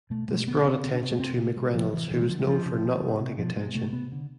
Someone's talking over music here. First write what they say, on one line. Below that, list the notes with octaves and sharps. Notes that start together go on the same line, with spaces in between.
This brought attention to McReynolds who was known for not wanting attention.
B2 A3
B2 A3
D3 B3
D3 C4
C3 C4
D4
C3 C4
A3
C3 C4
C3 A3
C3 G#3
C3 F3
C3 E3
C3 E3
G#3
D3 F3
G#3
D3 F3
C3
C3
C3
C3
B2 F3
B2 G#3
C3 A3
C3 B3
D3